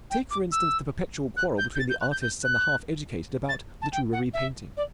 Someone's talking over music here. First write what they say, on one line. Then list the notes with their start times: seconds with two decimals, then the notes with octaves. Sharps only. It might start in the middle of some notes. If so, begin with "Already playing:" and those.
Take, for instance, the perpetual quarrel between the artists and the half-educated about literary painting.
0.10 G5
0.30 D6
0.52 E6
1.36 F#6
1.58 G6
1.75 G6
1.79 A6
1.89 G6
2.01 F#6
2.11 G6
2.21 G6
2.43 F#6
3.48 A6
3.81 A5
3.92 G5
4.12 F#5
4.33 E5
4.77 D5